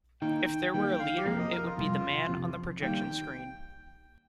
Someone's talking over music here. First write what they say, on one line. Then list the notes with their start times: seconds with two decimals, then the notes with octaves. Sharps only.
If there were a leader, it would be the man on the projection screen.
0.21 D#3 A#3 D#4 G5
0.73 D#3 G3 A#3 G5
0.99 F5
1.18 G4
1.25 F2 C3 F3 A#3 A#4
1.39 D#5
1.52 A#4
1.65 F4
1.77 F2 C3 G3 F4
2.29 F2 C3 F3
2.82 D#3 G3 A#3 G5